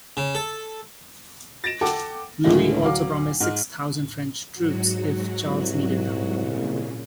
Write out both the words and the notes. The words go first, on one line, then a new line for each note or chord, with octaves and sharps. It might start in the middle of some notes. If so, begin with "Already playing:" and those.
Louis also promised six thousand French troops if Charles needed them.
C#3
A4
A6 A#6 D7 E7
A4 F#5 G5 A5 D6
C#2 A2 D3 D#3 G#3 A3
D2 F#3 F5 D6
G#2 F6
G#2 F#3 F#4
C2
A#2 C#3